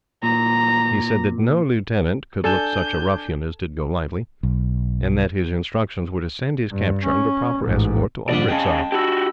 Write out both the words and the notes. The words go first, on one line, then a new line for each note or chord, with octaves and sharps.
He said that no Lieutenant could look such a ruffian as did Golightly, and that his instructions were to send his capture under proper escort to Umritsar.
A#2 A#5
D4 A4 G#5 G6 E7
B1
G2
C#4
A1 G#2
A#1 G#2 G3 D5
D3 G#3 C#4 G5 A5
D4 F#4 G4 B5 E6